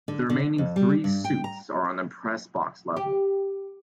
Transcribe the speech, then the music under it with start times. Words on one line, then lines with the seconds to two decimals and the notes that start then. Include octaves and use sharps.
The remaining three suites are on the Press Box level.
0.08 D3
0.30 D3
0.58 F2
0.76 G3
1.04 G2
1.24 G5
1.44 A#5
2.96 G4